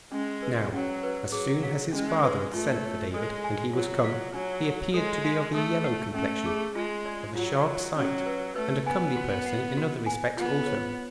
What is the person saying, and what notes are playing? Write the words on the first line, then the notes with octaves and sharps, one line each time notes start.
Now, as soon as his father had sent for David, and he was come, he appeared to be of a yellow complexion, of a sharp sight, and a comely person in other respects also.
G#3 C#4
B4
F#3 C#4
B4
F#3 G#4
F5
G#3 C#4
B4
A3 F4
C#5
G#3 A4
G#5
F#3 F4
F5
F#3 D4
C#5
G#3 A4
F5
A3 A4
F#5
A3 C#4
G#4
G#3 F4
D5
F#3 F4
C#5
F#3 C#4
B4
A3 B4
B3 G#5
F#4
F#5
F#4
G#5
B3 F4
C#5